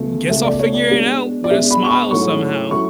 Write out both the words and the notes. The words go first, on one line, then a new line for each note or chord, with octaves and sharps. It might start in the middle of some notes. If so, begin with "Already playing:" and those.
guess I'll figure it out with a smile somehow."
Already playing: C#2 B2 A3
C#2 B2 A3 E5
D5
C#5
D5
B2 G#3 D4
D5
B2 G#3 D4 E5
B5
C#6
B5
G#2 F#3 A3 C#4 E4 C#6
F#3 A3 C#4 E4 C#6